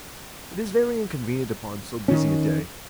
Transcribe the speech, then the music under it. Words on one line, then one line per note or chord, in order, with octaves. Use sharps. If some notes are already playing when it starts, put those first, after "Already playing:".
"It is very inconvenient upon so busy a day."
D#3 C#4